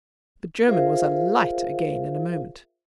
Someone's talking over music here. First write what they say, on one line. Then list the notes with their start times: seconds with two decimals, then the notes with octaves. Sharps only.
The German was alight again in a moment.
0.68 F4 G#4 A#4 C5 E5 F5